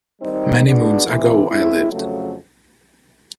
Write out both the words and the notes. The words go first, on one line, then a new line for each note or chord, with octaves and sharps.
Many moons ago I lived.
D#3 G3 C4 D#4
G#3 B3 D4 F#4
D2 C3 E3
G#3 C4 E4
F2 C#3 F#3 A3